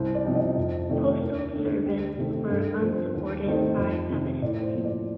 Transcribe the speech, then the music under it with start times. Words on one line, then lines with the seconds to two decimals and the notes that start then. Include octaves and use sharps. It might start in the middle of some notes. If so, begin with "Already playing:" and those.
Postal Service were unsupported by evidence.
Already playing: C2 C5
0.15 D5
0.25 C3 F3 C4 D#4
0.35 D#5
0.58 F2
0.89 C3 D#3 A3 C4 D5
1.21 D#2 A#4
1.53 D3 A3 D4
1.86 D2 G4
2.17 C3 D#3 A3 C4
2.29 A4
2.49 G2 A4
2.71 A#4
2.82 F3 C4
2.92 C5
3.14 D#2
3.46 D#3 A3 C4 D#4
3.78 F2
4.09 C3 D#3
4.42 A2 D5
4.63 C5
4.74 F3 A#3
4.84 D5